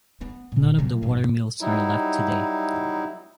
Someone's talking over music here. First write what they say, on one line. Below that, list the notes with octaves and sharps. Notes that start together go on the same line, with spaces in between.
None of the watermills are left today.
B3
D1 A#2
A#2 F#3
G#1 D#2
F#3 G3 D#4 E4